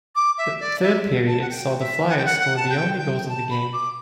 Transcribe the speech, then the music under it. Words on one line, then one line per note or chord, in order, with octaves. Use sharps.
The third period saw the Flyers score the only goals of the game.
D6
E5
D5
E5
A5
F#5
G5
E5
F#5
G5
F#5
F#5
A5
G5
G5
G5
A5
B5
D6